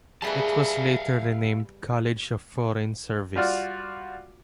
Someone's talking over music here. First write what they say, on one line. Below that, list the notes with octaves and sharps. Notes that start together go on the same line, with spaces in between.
It was later renamed College of Foreign Service.
G3 G#4 B4 E5 F5 A5
G3 F4 F#4 D5 F6